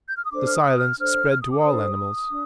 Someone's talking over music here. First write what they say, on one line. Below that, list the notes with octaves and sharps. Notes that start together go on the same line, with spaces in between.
The silence spread to all animals.
G6
F6
D#6
D4 A4 C5 D6
F6
D#6
F6
D4 A4 C5 F6
F6
D#6
D6
D4 A4 C5 D#6
D4